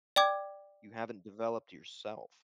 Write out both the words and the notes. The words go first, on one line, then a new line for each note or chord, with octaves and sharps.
you haven't developed yourself.
D5 G5 D6 G#6